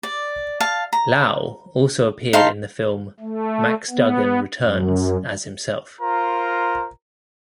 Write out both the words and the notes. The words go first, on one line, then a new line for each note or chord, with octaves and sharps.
Lau also appeared in the film "Max Dugan Returns" as himself.
D5
F5 A5
A#5
D#4 F5 A5 C6
A3
B3
F#2
F4 A#4 C5 A#5